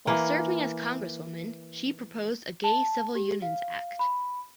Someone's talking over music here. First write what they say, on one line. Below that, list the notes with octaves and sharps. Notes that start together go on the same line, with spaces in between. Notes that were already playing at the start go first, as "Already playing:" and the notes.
While serving as Congresswoman she proposed a gay civil unions act.
E3 A#3
A5
G4
F5
B5